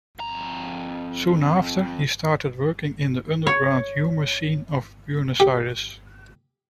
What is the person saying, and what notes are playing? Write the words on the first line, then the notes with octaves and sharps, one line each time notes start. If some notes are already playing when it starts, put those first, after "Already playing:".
Soon after he started working in the underground humour scene of Buenos Aires.
F2 A#5
C#5
G4